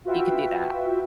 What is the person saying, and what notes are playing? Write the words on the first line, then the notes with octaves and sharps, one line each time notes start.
you can do that.
F4 F#4 B4 E5 G5